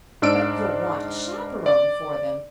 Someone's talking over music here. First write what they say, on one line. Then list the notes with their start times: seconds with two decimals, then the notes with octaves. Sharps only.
"But you'll want a chaperone for them."
0.22 G#2 D4 E6 D7
1.66 D5